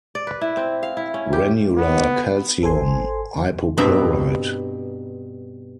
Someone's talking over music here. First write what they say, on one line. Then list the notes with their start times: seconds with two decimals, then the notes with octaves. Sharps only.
Granular calcium hypochlorite.
0.15 D5
0.27 B4
0.41 E4
0.57 C4
0.83 F5
0.97 E4
1.14 C#4
1.33 G4
1.76 B3
2.62 G#1 A4 C5 G#5 C6
3.77 G2 B2 B3 C4 A#5 B5